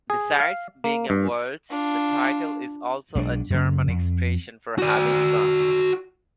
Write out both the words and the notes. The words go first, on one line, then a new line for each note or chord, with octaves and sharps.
Besides being a waltz, the title is also a German expression for having fun.
G#4
F5
A#3
G2
D4 F4
B1 G#3 D4
F#2 C#3
F2
F#4 D5